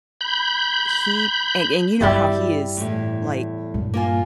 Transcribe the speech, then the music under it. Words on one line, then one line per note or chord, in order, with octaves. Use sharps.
he and and you know how he is, like,
B5 G6
G2 G3 C4 E4 G4
E2 A2
G2 A#2
A#3 F4 G#5